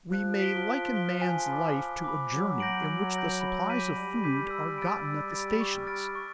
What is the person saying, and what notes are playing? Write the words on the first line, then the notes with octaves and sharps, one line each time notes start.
We may liken man's life to a journey in which the supplies of food are gotten at the stations.
F3 F#6
B6 D7 G7
F#6
B6 D7 G7
G#5
B5 D6
G#5
B5 D6
F#3 D6
G6 A#6 D7 F#7
D6
G6 A#6 D7 F#7
B5
D6 G6 B6 D#7
G3 B5
D6 G6 B6 D#7
E6
A6 D7
G3 E6
A6 D7
C#6
F6 A6 D7
C#6